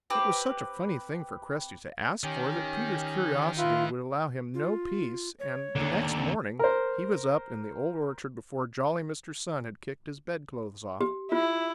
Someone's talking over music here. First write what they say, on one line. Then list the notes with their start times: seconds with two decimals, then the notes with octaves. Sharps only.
It was such a funny thing for Cresty to ask for that Peter's curiosity would allow him no peace, and the next morning he was up in the Old Orchard before jolly Mr. Sun had kicked his bedclothes off.
0.10 C4 G4 B4
2.23 D#3 C#4 G4
3.58 F4 B4 E5
4.54 F4
5.40 C#5
5.76 D#2 D3
6.17 C4
6.59 A#4 C5
11.01 G4
11.32 E4 F4